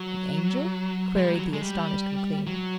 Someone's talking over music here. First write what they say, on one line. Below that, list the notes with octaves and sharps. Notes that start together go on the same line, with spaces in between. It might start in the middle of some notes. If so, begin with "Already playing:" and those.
"The Angel?" queried the astonished McLean.
Already playing: F#3
G#3
G3
F#3
G#3
G3
F#3